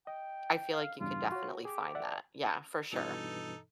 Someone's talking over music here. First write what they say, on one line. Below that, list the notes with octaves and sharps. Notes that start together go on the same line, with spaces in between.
I feel like you could definitely find that, yeah, for sure.
D#5 G5
F5
E2 G2 C#3 F4
F#4 C#5
G4 G#4
D5 E5 F#5
G2 B2 E3 D#4 A4